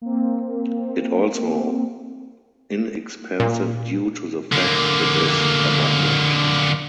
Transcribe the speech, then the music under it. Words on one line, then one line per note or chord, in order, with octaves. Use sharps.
Its also inexpensive due to the fact it is abundant.
A#3 C4
A#2
D3 A#3